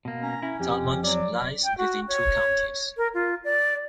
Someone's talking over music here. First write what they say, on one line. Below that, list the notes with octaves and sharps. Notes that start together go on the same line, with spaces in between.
Tallmadge lies within two counties.
B2 A#3
C#4 A#5
C#4 E4
F2 G4
F#3 D5
G5
F#4
C#5
A#4
F4
D5